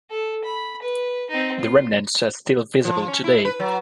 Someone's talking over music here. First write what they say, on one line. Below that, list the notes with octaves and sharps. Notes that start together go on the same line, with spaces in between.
The remnants are still visible today.
A4
B5
B4
C4 D#4
F4
F3
C#4
E4
B4
F#3